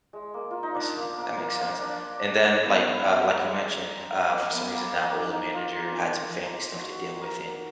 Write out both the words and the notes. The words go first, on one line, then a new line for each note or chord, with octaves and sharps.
I see. That makes sense. And then, like uh, like you mentioned, uh, for some reason, that old manager had some family stuff to deal with, and,
G#3
A#3
F4
D#4
D4
A#3
A#3
A#3
A#3
D4
B3
B3
A#3
G#3
A#3
B3
A#3
A#3
D#4
F4
F#4
A#4